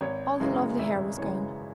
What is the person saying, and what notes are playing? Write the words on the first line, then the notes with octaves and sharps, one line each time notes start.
All her lovely hair was gone!
G#1 C#5
F#2 C#3 E3 G#3
G#1 E5
F#2 C#3 E3 G#3 C#5